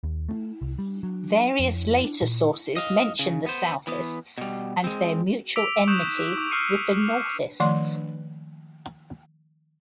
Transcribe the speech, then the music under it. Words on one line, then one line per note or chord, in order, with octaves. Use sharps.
Various later sources mention the Southists and their mutual enmity with the Northists.
D#2
A3
C2
G3
F#3
F2
D4
A#2
D#5 F5
C#3
B3 C5
E3 B3
B2 G3
G#3 C4
D6 E6 B6 D7 F7
C#6 D#6 F#6 G6 E7
D6
C#6 E6 F6 C7 C#7 D#7
D#3 F3 A3 C6